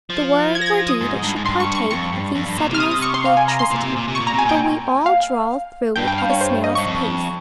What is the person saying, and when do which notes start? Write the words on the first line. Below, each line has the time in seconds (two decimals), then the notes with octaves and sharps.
The word or deed should partake of the suddenness of electricity; but we all drawl through it at a snail's pace.
0.10 F3
0.55 G#6
0.61 A#6
0.66 G#6
0.88 D#6
1.01 G#2
1.23 G2
1.36 G#2
1.45 G2 C6
1.60 C#6
1.75 C#6
1.91 F2 C#6
2.12 G2
2.35 F2
2.46 G2
2.57 A#2
2.70 C3 F6
2.80 D#6
2.91 D#6
3.02 C#6
3.14 C6
3.25 F5
3.37 G#5
3.48 A#5
3.59 C6
3.71 A#2
3.83 C3
3.96 A#2
4.08 C3
4.15 C#6
4.20 A#2
4.27 A#5
4.33 C3
4.39 G#5
4.46 A#2 G5
5.06 F5
5.96 G2 G5
6.08 G5
6.18 F5
6.30 C#5
6.41 C5
6.64 D#5
6.75 G2 C#6
6.87 F2